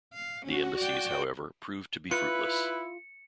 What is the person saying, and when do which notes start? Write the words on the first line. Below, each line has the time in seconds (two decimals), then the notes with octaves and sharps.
The embassies, however, proved to be fruitless.
0.14 F5
0.46 C#4 F#4
0.79 D5 G5
2.11 E4 F4 B4 C#7